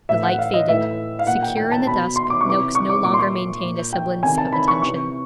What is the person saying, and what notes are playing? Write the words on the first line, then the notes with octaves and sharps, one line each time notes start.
The light faded. Secure in the dusk, Noakes no longer maintained a semblance of attention.
A2 E3 E5
F#5
F5
D#5
A2 E3 E5
F5
A#2 F#5
G5
G5
A5
B2 B5
C6
D6
C#6
C3 E3 D6
C#6
D6
A#2 D6
C6
C#6
A#2
G5
C3 D#3 G#5
A5
B5
C#6
C3 E3 C#6